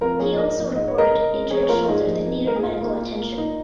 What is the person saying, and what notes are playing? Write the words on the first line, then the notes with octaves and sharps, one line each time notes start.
He also reported an injured shoulder that needed medical attention.
F2 F4 A#4
F3 A#3 G#4 C#5
G#2 A#4 D#5
F3 A#3
G#2 D#5
C#5
G#3 A#4 D#5
C#3
G#3
F2 G#4 C#5
C#5
F3 A#3 F4 A#4
G#2 D#4 G#4
F3 A#3
F2
D#3 A#3 A#4
G#4
G#2 F4
D#3 A#3
A#2
A#3
A#2 D#4